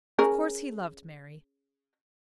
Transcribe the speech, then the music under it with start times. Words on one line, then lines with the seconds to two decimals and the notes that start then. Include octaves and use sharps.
Of course he loved Mary.
0.19 C#4 G#4 A#4